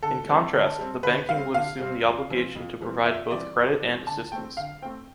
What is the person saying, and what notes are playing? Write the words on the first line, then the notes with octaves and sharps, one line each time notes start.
In contrast, the banking would assume the obligation to provide both credit and assistance.
D3 A4
G3 C4
D3
G3 C4
D3 B4
G3 C4 F5
D3 F5
G3 C4
F2
E3 G3 C4
F2
E3 G3 C4
F2 E5
E3 G3 C4 D5
F2
E3 G3 C4
D3 A5
A3 C4 G5
D3 F5
A3 C4 G5